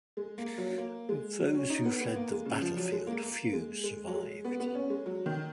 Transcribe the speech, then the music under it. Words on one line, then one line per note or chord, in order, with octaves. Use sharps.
Of those who fled the battlefield, few survived.
G#3
A#3
F#3
A#3
G#3
F#3
C#4
D#4
B3
B3
A#3
G#3
C#3
F3
F#3
G#3
A#3
A#3
G#3
G#3
F#3
G#3
B3
B3
C#4
G#3
F#3
D#3